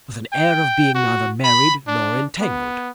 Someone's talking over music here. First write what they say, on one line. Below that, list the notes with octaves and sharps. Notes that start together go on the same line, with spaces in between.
With an air of being neither married nor entangled.
G5
F#4
B5
D4
B3